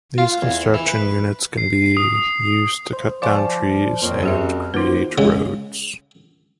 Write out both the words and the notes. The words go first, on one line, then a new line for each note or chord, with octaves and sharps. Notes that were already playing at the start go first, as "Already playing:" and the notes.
These construction units can be used to cut down trees and create roads.
F4
E2
E3
B4
C7
D#6
C5
F3 C5 D5 F5 G#5 C#6
F2 A#2 C5 C#5 C6
F#2 G4 G#4 E5
D#2 F4 F#4 B4 C5
C#3 G#3